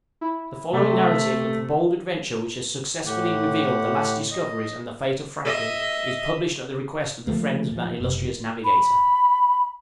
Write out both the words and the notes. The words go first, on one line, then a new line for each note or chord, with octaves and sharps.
The following narrative of the bold adventure which has successfully revealed the last discoveries and the fate of Franklin, is published at the request of the friends of that illustrious navigator.
E4
C3 A3 C4
A2 G4 F#5
D#5
D#5 E5
F3 G3 A3 A#3
A#2 F3
F#1 C3
B5